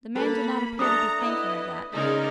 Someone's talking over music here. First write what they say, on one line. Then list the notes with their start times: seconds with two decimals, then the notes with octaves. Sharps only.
The man did not appear to be thinking of that.
0.16 A#3 A4 B4 B5
0.79 D4 A4 E5 A#5 D#6
1.19 B3 E4 D#5
1.92 C#3 G#3 D#4 G#4 A#4 D5